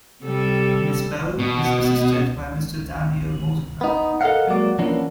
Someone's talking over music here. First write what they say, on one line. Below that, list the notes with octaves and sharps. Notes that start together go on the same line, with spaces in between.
Ms. Bell is assisted by Mr. Daniel Modenbach.
C3 G3 A4
B2
B3 D#4
A4 A#4 D5 D#5 F5 F#5
F#3 G#3 A#3 F#4 D5
E3 F3 A#3 B3 C#4 D4